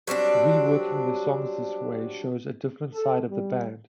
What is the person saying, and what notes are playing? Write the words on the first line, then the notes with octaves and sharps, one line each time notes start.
Reworking the songs this way shows a different side of the band.
F#3 G3 C4 D4
A4
G3